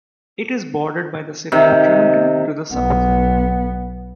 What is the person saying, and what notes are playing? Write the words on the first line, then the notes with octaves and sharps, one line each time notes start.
It is bordered by the city of Tremonton to the south.
C3 D#3
B1 B3